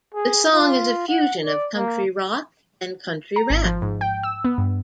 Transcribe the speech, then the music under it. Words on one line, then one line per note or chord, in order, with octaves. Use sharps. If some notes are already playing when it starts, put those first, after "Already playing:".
The song is a fusion of country rock and country rap.
G#4
F4
F#5
D5
A#3
A#5
G#1
F3
G#2
G5
E6
B3
G2